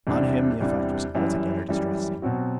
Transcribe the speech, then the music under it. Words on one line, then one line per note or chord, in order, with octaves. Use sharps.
On him the effect was altogether distressing.
E2 C3 G3 D4
E2 C3 G3 D4
F#2 E3 G3
F#2 E3 G3
B2 F#3 C4 F#4